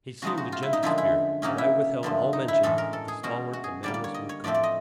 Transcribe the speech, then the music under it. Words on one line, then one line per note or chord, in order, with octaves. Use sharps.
He seemed a gentle spirit, and I withheld all mention of the stalwart and manless wood-cutter.
C#3 F3 G#3 B3 D#4 F#4
F#4
F4
E4
D#4
F#2 D3 F3 G#3 E4
E4
C#3 F#3 A#3 C#4 D#4
E4
F#2 D3 F3 A3
D#4
E4
A2 E3 G#3 C#4 A4
A#4
A4
G#4
B2 G#3 C#4 F#4
F#4
G#4
D3 G3 A#3 D5
D5
C#5
D#5
C#5
A2 F3 A3 C4 D5
D5
D#5